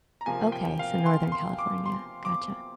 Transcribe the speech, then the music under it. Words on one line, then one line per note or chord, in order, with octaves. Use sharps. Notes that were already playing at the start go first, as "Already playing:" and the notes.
Okay, so, Northern California. Gotcha.
A#5
C3 F3 A#3 G#5
G5
F5
C6
C6
D6
C6
D6